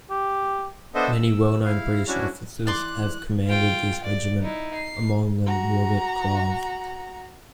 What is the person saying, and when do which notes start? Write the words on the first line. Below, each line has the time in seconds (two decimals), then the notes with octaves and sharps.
Many well-known British officers have commanded this regiment, among them Robert Clive.
0.10 G4
0.95 B3 D4 A4 C5 D#5 E5
1.12 E6
1.65 E4 F5
2.08 C#4 D4 E4 F#4
2.67 E3 D5 C6 D6 F#6
3.48 F4 G5
4.04 D5
4.42 D#4 E4
4.75 C7
5.46 F#4 A#5